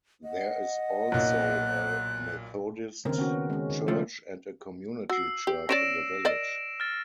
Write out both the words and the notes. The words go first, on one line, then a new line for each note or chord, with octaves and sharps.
There is also a Methodist church and a Community church in the village.
D#5 F#5
B1 A#2 F#6
D#2 G#2 C#3 C4 A#4
B3 C#4 F#4
G#3 C#4
D#3
C#2 F3 A3
F#4 E6 C7
G4
C#4 C#5 D5 A#6 D7 E7
A#4 D5 D#5
F6 A6